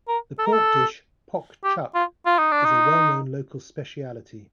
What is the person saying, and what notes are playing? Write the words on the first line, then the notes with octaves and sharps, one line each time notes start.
The pork dish "poc-chuc" is a well known local specialty.
A#4
A4
A#4
A4
G4
F4
F4
D#4
D4
D#4